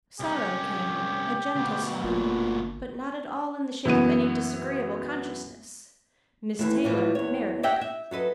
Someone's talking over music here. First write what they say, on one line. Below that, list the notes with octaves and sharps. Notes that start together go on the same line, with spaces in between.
Sorrow came--a gentle sorrow--but not at all in the shape of any disagreeable consciousness.--Miss Taylor married.
C2 C#4 G4
D2 B2
G1 A#2
F#2 E3 B3 D#7
D#2 G#2 E3 A3
A2 E3 F3
E2 C#5
G4 C#5 D#5 E5 F#5 G5
E5
F#3 A4 B4 D#5